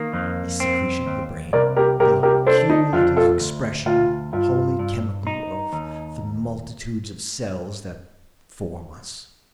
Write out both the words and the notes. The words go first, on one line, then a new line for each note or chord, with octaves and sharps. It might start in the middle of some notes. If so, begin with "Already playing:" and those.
A secretion of the brain? The cumulative expression, wholly chemical, of the multitudes of cells that form us?
Already playing: D#3 A#3
F2
C4
D#2
C2 A#4 D5
G4 A#4
C2 G4 A#4
G4 A#4
D4 A4 C5
D#4
F2 F4
F4 A4
D2
D2 F4
G2 F4
G2
D#4
D#2